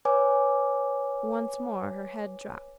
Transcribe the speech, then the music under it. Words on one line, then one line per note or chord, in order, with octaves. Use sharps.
Once more her head dropped.
B4 C#5 G#5 D6